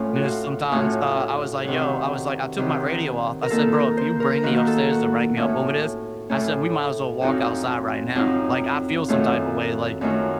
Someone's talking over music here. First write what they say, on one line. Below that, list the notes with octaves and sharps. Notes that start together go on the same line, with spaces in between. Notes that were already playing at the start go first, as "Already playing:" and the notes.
And then sometimes, uh, I was like, "Yo" I was like, "I took my radio off," I said, "Bro, if you bring me upstairs to write me up over this," I said, "We might as well walk outside right now, like, I feel some type of way, like"
Already playing: A2 A3 C#4 F4
F#4
F4
A2 A3 C#4 F4 F#4
C3 D#3 F#3
C3 D#3 F#3
A#4
D#3 A#3 F4 A4
A#4
C5
A#4
D#3 A#3 F4 F#4
A4
F#4
A2 A3 C#4
A2 A3 C#4
F#2 F3 C4 D#4 F#4
F#2 F3 C4 D#4 F4
F#2 D#3 A3 C#4 F4
F#2 D#3 A3 C#4 F4 F#4